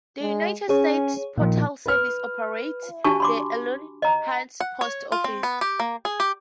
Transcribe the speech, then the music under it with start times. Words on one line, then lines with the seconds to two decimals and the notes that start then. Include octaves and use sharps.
The United States Postal Service operates the Allenhurst Post Office.
0.22 G#3
0.69 C#4 G#4 C#5
1.38 A#2 D#3 F3
1.86 B4 F6
3.04 D4 F#4 G4 G#5 A5 C#6
3.20 B5 C6 D6
4.02 D#5 A#5
4.60 F#5
4.81 C#5
5.12 F4
5.24 C4
5.43 B3
5.61 G4
5.80 A#3
6.05 G#4
6.20 G4